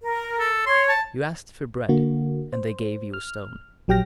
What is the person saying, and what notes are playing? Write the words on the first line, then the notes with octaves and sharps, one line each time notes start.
You asked for bread, and they gave you a stone.
A#4
A4
C#5 C6
A5
D3 A#3 F#4
C5
F6
A#1 F#3 G4 G5 F6 A#6